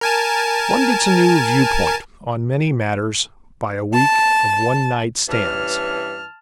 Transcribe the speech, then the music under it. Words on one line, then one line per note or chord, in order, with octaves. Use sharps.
One gets a new viewpoint on many matters by a week of one-night stands.
A#4 G#5 A5
A5
G2 E3 C#4 A5 F6